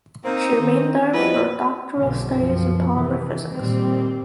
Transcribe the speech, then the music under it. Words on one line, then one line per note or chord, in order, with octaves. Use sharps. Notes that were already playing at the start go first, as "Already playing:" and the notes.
She remained there for her doctoral studies in polymer physics.
A#3 C4 D#4
D#3 C4
E2 F3 G3 C4 E4 F#4 B4 D#5
B1 G2 D3 F3
F#2 F3
D#2 C3 E3
A#2 D#3 G3 C4